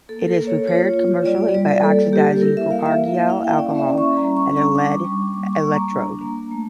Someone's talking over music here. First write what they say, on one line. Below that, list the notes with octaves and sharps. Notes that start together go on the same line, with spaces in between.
It is prepared commercially by oxidizing propargyl alcohol at a lead electrode.
A#3 A4
A#4
A#3
C#5
F4 C#5
F4
G3 D5
G3 D5
A4
A#3 A4
A#3 G4
E4 A#4
E5
A#3 F5
E5
A#3
E5
E4 F5
G5
C#4 D5
E5
C#4
C#6
G3 A#5
C#6
D4
C#6
G3 D6
G3 C#6
A#3 D6
C#6
A#3
A#5
D4
A#3
A3